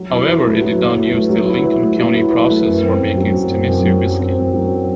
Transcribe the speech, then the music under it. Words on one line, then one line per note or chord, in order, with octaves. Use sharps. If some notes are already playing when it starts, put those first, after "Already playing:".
However, it did not use the Lincoln County Process for making its Tennessee whiskey.
Already playing: F#3
E4
B4
A3
F#3
E4
B4
A3
F#3
E4
B4
A3
F#3
E4
B4
A3
F#2
C4
F#2
F#3
F#2
C4
F#2
F#3
F#2
C4
F#2
F#3